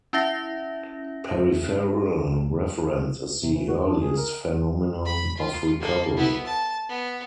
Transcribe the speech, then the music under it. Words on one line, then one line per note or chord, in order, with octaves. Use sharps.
Peripheral reference is the earliest phenomenon of recovery.
C#4 E4 E5 A#6
C3
E3
F#4
D4
G#4
A#4
B5
F4
A#3 A4
B3 E4
A5
B3